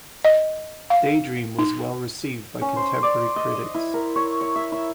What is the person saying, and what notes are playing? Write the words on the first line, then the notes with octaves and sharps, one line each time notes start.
"Daydream" was well received by contemporary critics.
D#5
F5
D#4
C#4
C5
D5
D#5
D#5
E4
A#4
C#5
C#5
E5
E4